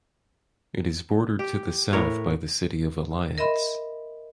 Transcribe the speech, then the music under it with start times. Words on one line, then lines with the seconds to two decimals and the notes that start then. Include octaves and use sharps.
It is bordered to the south by the city of Alliance.
1.39 G4
1.93 A2 A#4 B4 C#5
3.38 A#4 D#5 E5 B5 C6